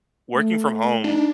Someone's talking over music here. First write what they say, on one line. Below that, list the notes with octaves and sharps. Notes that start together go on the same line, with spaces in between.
working from home
A3
D4 D#4